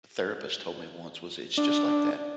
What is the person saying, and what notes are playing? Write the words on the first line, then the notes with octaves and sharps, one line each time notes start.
therapist told me once was it's just like that,
D4